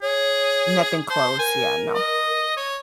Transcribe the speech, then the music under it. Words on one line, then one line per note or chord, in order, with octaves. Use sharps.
Nothing close. Yeah, no.
G#4 C#5
C5 A5
A#4 G#5
D#5
C#5